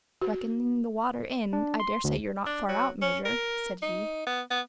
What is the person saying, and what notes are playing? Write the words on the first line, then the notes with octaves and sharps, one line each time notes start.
"Reckoning the water in, I daresay you're not far out, Major," said he.
F#4
D4
C6
D2
D4
F#3
C#4
A#4
D#4
B3
B3